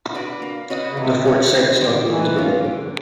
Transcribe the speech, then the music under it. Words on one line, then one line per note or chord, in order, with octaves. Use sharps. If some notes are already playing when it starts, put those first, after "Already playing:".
The fort site is not open to the public.
D4 F#4 B4 D5
A#3
C#4 F#4 B4 D#5
C#3
C3 E3
G#3 C#4
C#3 B3
D3
D#4 G4 C5
D#3
E3 F#3
A#3 C#4 F4
D3